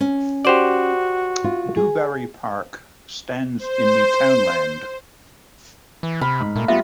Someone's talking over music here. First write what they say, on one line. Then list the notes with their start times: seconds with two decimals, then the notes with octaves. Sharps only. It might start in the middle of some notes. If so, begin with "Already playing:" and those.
Dubarry Park stands in the townland.
0.01 C#4
0.45 F#4 G4 C5 D5
1.44 F4
1.76 G#4
3.59 C5
6.03 E3
6.21 C3 B5 F6
6.40 G#2
6.56 A#2 A3 A#3
6.68 G3 B3 F4 E5